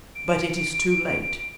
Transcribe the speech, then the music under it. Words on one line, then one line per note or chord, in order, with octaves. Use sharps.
But it is too late.'
D7